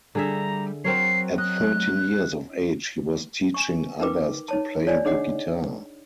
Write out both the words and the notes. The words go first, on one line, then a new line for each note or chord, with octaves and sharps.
At thirteen years of age he was teaching others to play the guitar.
D3 G3 G#4 E5 A#5
F#3 C4 A#4 C#5 C7
D#5 F#6
G#5 C#6
D#4 A#4 B4 G5 D6
D#4 C#5 A5
C#5 D5 G#5
D4 D#4 G#4 C#5 D#5 F#5